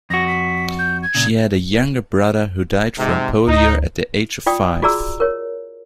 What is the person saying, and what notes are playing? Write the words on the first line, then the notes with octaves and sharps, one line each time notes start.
She had a younger brother who died from polio at the age of five.
F2 F#4 A#6
B6
G6
G#6
A#2 C#3
G#2 C3
D2 D#4
F4 D5 G5 D#6
F4 F#4 G#4 D5 A#5 E6
A#4 C#5